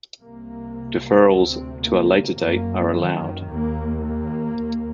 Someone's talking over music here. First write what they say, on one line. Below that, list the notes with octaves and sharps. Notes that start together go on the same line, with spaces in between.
Deferrals to a later date are allowed.
C2 C3 A#3
D2 C3 C4
A#3
F#2 A#3
D#3
D#2 A#3
A#3
D#2